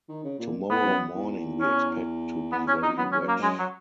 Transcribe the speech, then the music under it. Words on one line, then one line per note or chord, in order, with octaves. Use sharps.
Tomorrow morning we expect to be very wet.
D#3
C#3
A#2
E2 B3
F#2
E2
C#4
B3
C#4
D#4
F#2 B3
C#4
F#2
A#3
G#2
F#2 G#3
F#3